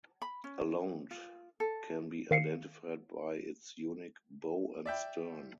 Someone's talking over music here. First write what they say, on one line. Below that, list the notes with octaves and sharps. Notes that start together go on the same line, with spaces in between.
A londe can be identified by its unique bow and stern.
B5
C#4
F4
A4
D#3 F5 C7 C#7
D5 E5 G5